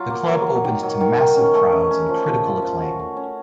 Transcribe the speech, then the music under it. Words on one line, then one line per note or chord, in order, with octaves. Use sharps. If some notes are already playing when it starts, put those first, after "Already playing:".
The club opened to massive crowds and critical acclaim.
Already playing: F#3 F4
A#3
F#3
F#3
D#3
F#3
D#3
D#3
C#4
A3
C#4
C#4
F3
F3
F4
F3
F#4
A3
C#4